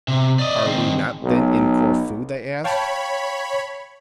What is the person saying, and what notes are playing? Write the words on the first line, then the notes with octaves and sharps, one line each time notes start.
"Are we not, then, in Corfu?" they asked.
C3
D5 D#5
D#3 C4
B1
C#5 F5 G5 A5 B5